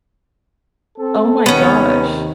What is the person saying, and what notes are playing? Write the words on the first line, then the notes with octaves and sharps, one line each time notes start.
Oh my gosh.
C4 A4
D#2 C3 D#3 B3 C#4